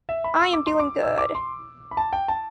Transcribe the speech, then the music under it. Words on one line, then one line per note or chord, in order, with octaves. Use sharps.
I am doing good.
E5
B5
E6
D6
C6
D6
E6
D6
C6
B5
A5
G5
A5